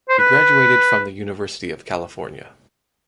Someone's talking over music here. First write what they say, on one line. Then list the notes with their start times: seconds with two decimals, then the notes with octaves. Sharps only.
He graduated from the University of California.
0.09 C5
0.19 B4